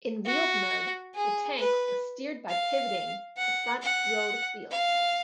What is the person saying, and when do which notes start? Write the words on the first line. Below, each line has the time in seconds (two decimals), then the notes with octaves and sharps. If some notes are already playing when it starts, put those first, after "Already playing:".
In wheeled mode, the tank was steered by pivoting the front road wheels.
0.26 F#4
1.15 G#4
1.59 B4
2.49 F5
3.38 F#5
3.82 F#5
4.71 F5